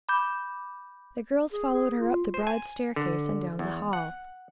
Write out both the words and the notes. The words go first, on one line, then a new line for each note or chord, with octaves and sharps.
The girls followed her up the broad staircase and down the hall.
B5 D6 G6
G#4
G#4
F4
C5
G#5
D3
E2
F#5